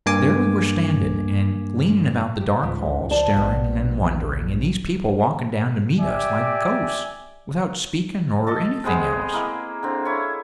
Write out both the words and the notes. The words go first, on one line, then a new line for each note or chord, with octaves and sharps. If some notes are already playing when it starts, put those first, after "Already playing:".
There we were standing and leaning about the dark hall, staring and wondering, and these people walking down to meet us like ghosts, without speaking or anything else.
G2 A#3 G#5 D6
G4
C#2 G#2
F3 D5 A5
A#1 G3 B3
G4 D5 E5 G#5
A4 D#5 A5
C3 G#3 B3 G#4
A#3 E4
D3 C4
E4 C#5